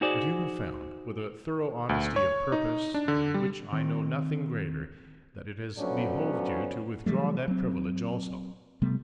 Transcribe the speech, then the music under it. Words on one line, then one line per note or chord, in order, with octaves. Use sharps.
But you have found,--with a thorough honesty of purpose than which I know nothing greater,--that it has behoved you to withdraw that privilege also.
D#4 F#4 G#4 C5 D5
D2
C#5
D#4
D4
D3
G3
D#3 C4
F3 F#3 A3 B3 C#4 D4
E3 F#3 G3 A3
F#3 C4
C3 G3 A3 B3